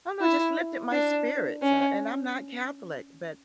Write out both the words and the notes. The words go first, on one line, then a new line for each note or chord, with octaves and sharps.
I don't know, just lifted my spirits, uh, and I'm not Catholic, but
E4
D4
C#4